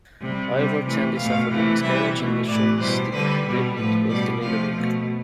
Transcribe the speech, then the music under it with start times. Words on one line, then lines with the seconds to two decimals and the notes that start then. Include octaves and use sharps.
However, Tandy suffered a miscarriage and the show's debut was delayed a week.
0.21 C3 G3
0.53 C3 G3
0.85 C3 E3 A3
1.18 B2 A3 F5
1.50 C3 E3 A3
1.82 C3 E3 G3 E5
2.15 B2
2.20 A3
2.48 A2 E3 A3 D5
2.79 B2 G3 C5
3.12 D3 G3 B4
3.45 B2 G3
3.76 A2 F3 A3 B4
4.09 B2 G3 D5
4.41 C3 F3 A3 F5
4.73 B2 A3